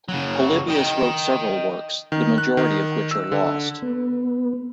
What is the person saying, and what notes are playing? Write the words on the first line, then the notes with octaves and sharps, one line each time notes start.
Polybius wrote several works, the majority of which are lost.
C#3 F#3
D#5 G5
D#3
F#6
D#3
E6
D3
B3